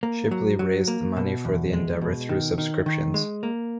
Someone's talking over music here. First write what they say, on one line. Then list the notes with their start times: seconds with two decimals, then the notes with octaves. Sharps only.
Shipley raised the money for the endeavour through subscriptions.
0.03 A#3
0.31 F#3
0.59 F#3
0.88 A#3
1.17 B2
1.45 E2
1.73 G#3
2.01 B2
2.29 D#3
2.58 D#3
2.86 D#3
3.14 G#3
3.43 A#3